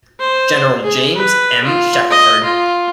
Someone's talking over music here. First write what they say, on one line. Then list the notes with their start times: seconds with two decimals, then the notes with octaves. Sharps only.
General James M. Shackelford.
0.19 C5
0.83 G#4
1.15 B4
1.64 F4
2.10 D#5
2.44 F4